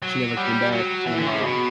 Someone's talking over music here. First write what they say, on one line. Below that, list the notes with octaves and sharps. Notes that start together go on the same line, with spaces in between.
She never came back from a
F#3
G3
F#3
E3
D3
C#3
B2